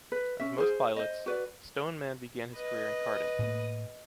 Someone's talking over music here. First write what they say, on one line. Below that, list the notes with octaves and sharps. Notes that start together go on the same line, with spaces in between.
As most pilots, Stoneman began his career in karting.
B4
C#4 E5
G#4 C5
C5 D#5
F#4 B4 D5
B4 D#5
A2 A#3